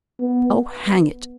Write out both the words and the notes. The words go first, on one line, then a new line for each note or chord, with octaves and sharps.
Oh, hang it!
B3